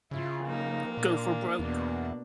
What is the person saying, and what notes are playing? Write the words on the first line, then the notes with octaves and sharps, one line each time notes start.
Go for Broke!
C#3 E4 F4
A#3 D#4
A#2 D4
E2 B2 D4